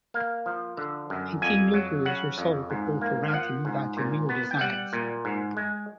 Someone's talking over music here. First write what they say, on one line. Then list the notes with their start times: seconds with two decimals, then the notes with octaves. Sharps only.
Nineteen Mercuries were sold before Ferranti moved on to newer designs.
0.14 A#3 F5
0.46 F3
0.77 D3
1.10 F#2
1.42 F2 G#5
1.74 F#3
2.06 C#3 F#5
2.38 F2
2.70 G#2
3.01 A#3
3.28 F5
3.33 F3 F#5
3.65 G#2
3.97 A#2
4.29 B3
4.51 G5
4.61 G3 F#5
4.93 A#2
5.25 G#2
5.57 G#3